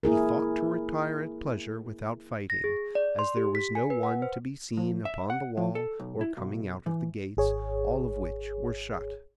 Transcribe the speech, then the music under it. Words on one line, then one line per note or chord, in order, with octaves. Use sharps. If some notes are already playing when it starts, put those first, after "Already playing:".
He thought to retire at pleasure without fighting, as there was no one to be seen upon the wall or coming out of the gates, all of which were shut.
A#3 E4 G#4 A#4
A#6
G#4
D5
C6
G4
B6
G#5
B4
F#5
C5
F3
E5
F#5
F3
A4
B1
E4
B1
E3
G#1 G#4 C#5